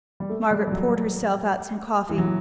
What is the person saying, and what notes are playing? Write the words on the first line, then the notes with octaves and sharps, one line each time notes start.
Margaret poured herself out some coffee.
G3
A3
G3
G3
F#3
E3
F#3